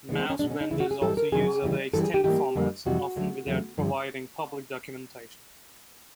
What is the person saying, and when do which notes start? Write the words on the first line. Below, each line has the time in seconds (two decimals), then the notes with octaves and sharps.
Mouse vendors also use other extended formats, often without providing public documentation.
0.08 D2 C#3 E3 G#3 B3
0.19 C4
0.30 C#4
0.39 B2 G#3 D4
0.51 C#4
0.61 D#4
0.70 D2 C#3 E3 E4
0.80 F#4
0.91 G#4
1.01 G#2 E3 G3 A4
1.17 A#4
1.32 F2 C3 D#3 F#3 G#4
1.62 D#2 C#3 E3 G3
1.93 G2 E3 G3 A4
2.03 G#4
2.14 G4
2.24 G#2 E3 G3 A#3 G4
2.55 F2 D3 G3 A#3
2.85 F2 C3 E3 G3 F#4
3.16 D2 D3 F#3 A3
3.47 E2 C#3 F#3 A3
3.77 G2 D3 F3